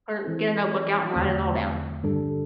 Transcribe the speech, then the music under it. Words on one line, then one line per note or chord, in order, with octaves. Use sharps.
or get a notebook out and write it all down.
E3 C4 E4 A4
E2 D3 A3 C4
G2 D3 G3 D4 A4